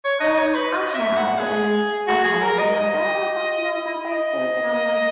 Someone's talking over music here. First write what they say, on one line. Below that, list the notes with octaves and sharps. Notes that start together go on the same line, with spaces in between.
Um, I have, and I've had 'em be like, "Oh, I thought you were on my Facebook," and I'll be like,
C#5
D#5
C#5
B4
D#5
D#5
E5
F#5
G#4
F#4
G#4
A#4
D#5
D#5
D#5